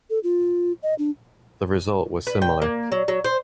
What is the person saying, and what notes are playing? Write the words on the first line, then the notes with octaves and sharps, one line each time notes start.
The result was similar.
A4
F4
D#5
D4
B4
G5
A#3
F#3
F#3
C5